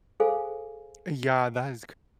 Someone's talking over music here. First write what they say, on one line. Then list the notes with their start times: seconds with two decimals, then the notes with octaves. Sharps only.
Yeah, that is c
0.20 G#4 A4 C5 F5 G#5